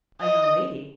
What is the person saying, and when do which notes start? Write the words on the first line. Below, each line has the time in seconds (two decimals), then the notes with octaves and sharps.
"A young lady?"
0.21 D#5